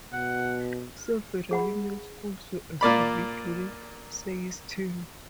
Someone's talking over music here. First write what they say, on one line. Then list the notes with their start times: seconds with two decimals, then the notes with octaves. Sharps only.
Several new schools were established during Seay's term.
0.13 B2 F#5
1.51 G#4 F#5 B5
2.81 A#2 A#3 D5 B5